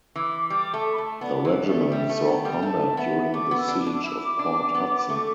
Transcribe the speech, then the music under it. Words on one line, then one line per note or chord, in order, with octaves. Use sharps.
The regiment saw combat during the Siege of Port Hudson.
E3 D6
G3 D6
A3 A5
B5
A3 A5
B3 D5
E3 B4
A3 D5
G3 E5
A3
B3 G5
G3
A3 A5
B3 E5
A3 D6
B3
E6
D4
D6
D4
E4
D4
B3
A3